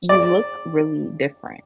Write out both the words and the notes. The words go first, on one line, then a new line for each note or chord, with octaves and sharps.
you look really different,
D5